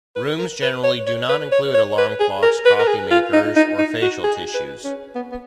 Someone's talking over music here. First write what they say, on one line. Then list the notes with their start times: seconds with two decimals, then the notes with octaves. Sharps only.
Rooms generally do not include alarm clocks, coffee makers, or facial tissues.
0.16 B4
0.39 A#4
0.62 B4
0.84 C#5
1.07 C#5
1.29 B4
1.52 C#5
1.74 C#5
1.98 B4
2.20 G#4
2.43 A#4
2.65 B4
2.79 A#4
2.87 G#4
3.11 F4
3.33 D#4
3.56 D#4
3.78 D#4
4.02 F#4
4.24 G#4
4.54 B4
4.84 C#4
5.15 B3
5.32 B3